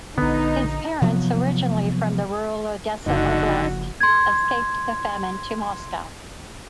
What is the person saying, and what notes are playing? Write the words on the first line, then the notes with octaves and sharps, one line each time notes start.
His parents, originally from the rural Odessa Oblast, escaped the famine to Moscow.
A#1 D3 B3 D#4
C3 F3 F#3 B3
F#1 D3 F3 D#4 F#4
C6 G#6